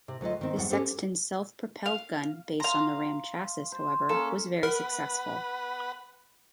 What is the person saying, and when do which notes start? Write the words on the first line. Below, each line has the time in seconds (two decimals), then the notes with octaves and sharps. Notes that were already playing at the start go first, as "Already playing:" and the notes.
The Sexton self-propelled gun based on the Ram chassis, however, was very successful.
0.08 C3
0.21 D2 F#3 F4 D#5
0.41 D#3 C4
0.56 E2 F#3 G3 F#5
0.70 C#4 G4 A4 C5
1.86 F5
2.60 F5 A#5 C6
3.72 C5
4.09 A#3 C#4 A4
4.63 A#4 B4 F#5